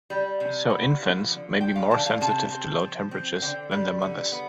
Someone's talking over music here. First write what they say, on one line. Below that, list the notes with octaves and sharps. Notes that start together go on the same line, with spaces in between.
So infants may be more sensitive to low temperatures than their mothers.
G3
C3
B3
F3
D3
F3 G5
F5
D3 A5
F5
C3 A5
C4
F3
C4
D3 G5
G3
D3
B3